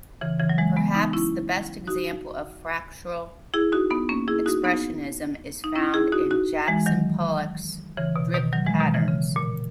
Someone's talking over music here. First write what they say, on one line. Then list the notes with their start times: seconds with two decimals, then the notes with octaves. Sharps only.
Perhaps the best example of fractal expressionism is found in Jackson Pollock's dripped patterns.
0.21 C#3 E3
0.40 C#3 E3
0.49 F#3
0.58 E3 G#3
0.76 G#3 B3
0.95 B3 D#4
1.13 C#4 E4
1.87 D#4 F#4
3.54 E4 G#4
3.72 D#4 F#4
3.90 B3 D#4
4.09 A#3 C#4
4.28 E4 G#4
4.46 D#4 F#4
4.64 B3 D#4
5.64 D#4
5.75 C#4 E4
5.94 E4 G#4
6.12 D#4 F#4
6.31 D#4 F#4
6.68 E3 G#3
6.86 D#3 F#3
7.97 C#3 E3
8.16 B2
8.34 B2 D#3
8.53 D#3 F#3
8.66 E3 G#3
8.80 B2 D#3
8.94 C#3 E3
9.08 C#3
9.36 A#2